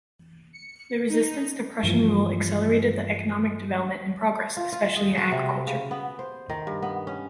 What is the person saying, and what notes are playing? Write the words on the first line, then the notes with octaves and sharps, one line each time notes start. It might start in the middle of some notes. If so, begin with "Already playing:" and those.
The resistance to Prussian rule accelerated the economic development and progress, especially in agriculture.
C#7
D#4
G2 E3 F3 A#3
F4
F4
G#4
F#4
C3
C#3
B3
C5
D#3
G2
B3
C#4